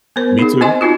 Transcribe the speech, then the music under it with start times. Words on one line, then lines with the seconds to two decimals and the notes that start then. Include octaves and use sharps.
Me too.
0.16 B3 A#4 C5
0.39 D#4 G#4
0.61 C4 C5 D#5 G#5 C6
0.81 C4 D#4 F4 F#4